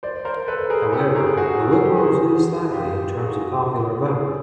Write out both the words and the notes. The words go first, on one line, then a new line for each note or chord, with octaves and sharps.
However, the Liberals lead slightly in terms of popular vote.
C5 D5
A#4 C5
A4 B4
G#4 A#4
G4 A4
G#4 A#4
F#4 G#4
A4
G#4
G4
F#4 G#4
F4 G4
F#4 G#4
G#4
A4